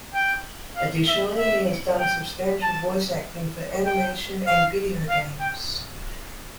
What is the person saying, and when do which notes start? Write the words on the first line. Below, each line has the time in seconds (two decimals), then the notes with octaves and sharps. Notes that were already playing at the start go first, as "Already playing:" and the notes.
Additionally, he has done substantial voice acting for animation and video games.
0.14 G5
0.76 F5
1.08 E5
1.38 E5
2.00 G5
2.62 A5
3.86 G5
4.47 F5
5.09 F5
5.40 G5